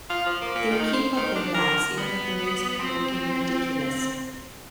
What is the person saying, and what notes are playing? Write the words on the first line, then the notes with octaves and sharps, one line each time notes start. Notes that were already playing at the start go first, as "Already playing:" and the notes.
They keep up their lies, even at the risk of looking ridiculous.
F4
F3
A#3
A#2
D#3
C5
D#3
D4
A#4
B3
C4